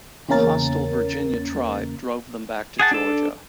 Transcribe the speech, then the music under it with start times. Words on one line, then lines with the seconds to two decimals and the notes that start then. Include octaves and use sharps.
A hostile Virginia tribe drove them back to Georgia.
0.29 E2 C#3 A#3 C#4 A#4 A6
2.79 G#4 F#5 A5
2.91 D4 A4